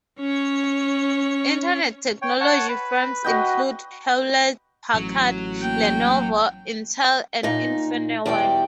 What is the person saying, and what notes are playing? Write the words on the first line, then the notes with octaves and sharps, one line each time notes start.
Internet technology firms include Hewlett-Packard, Lenovo, Intel, and Infineon.
C#4 C#5
C#5 G5
C#5 F#5 A5
B4
F#4 D#5 G5
A1 F#3
A#3 G5
A#2 D#4
E2 B2 G3 D5 G5